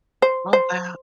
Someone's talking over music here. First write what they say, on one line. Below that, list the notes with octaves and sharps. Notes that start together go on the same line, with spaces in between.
Oh, wow.
C5
C5